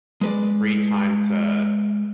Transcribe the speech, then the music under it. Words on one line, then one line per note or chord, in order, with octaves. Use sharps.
free time to
G#3 B4 D5